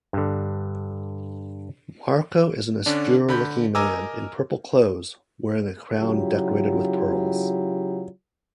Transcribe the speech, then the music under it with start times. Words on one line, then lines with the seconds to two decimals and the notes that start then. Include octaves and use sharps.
Marko is an austere-looking man in purple clothes, wearing a crown decorated with pearls.
0.13 G2 D3
2.86 D3 C#4 D4
3.29 D3 B5 G6
3.75 A#4 D#5 G#5 A#5 D6 E6
5.98 C#3 F#3 E4 F4 G4